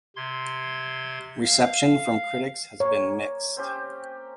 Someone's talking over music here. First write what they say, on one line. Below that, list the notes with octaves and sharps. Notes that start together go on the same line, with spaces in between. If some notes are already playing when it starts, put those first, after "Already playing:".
Reception from critics has been mixed.
C3 C6 G#6
F5
A#3 C#5
C4 C#4 G4